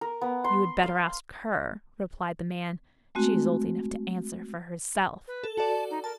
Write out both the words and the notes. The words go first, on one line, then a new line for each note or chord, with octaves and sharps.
'You had better ask her, replied the man, 'she is old enough to answer for herself.'
A#4
B3
C6
F5
G#3 A3 C4 F#4
B4
A4
F#4 A4 D5 A5
D#4
A#4 A5